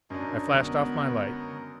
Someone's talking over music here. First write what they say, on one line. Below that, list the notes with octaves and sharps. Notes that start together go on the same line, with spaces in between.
I flashed off my light.
F#2 D4 A#4 C#5 D#5
D3 G#3 B3